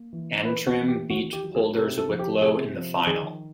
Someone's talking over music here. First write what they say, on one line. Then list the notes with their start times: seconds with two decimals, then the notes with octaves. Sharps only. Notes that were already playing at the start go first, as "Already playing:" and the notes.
Antrim beat holders Wicklow in the final.
Already playing: A#3
0.13 E3
0.45 A#3 B4
0.67 F#4
0.78 E3
0.88 G4
1.10 D#3 F#4
1.33 G4
1.43 F#3
1.55 G#4
1.76 C3 A#4
1.98 A4
2.08 F3
2.19 G4
2.41 C3 G#4
2.74 F3
3.07 D#3 G#4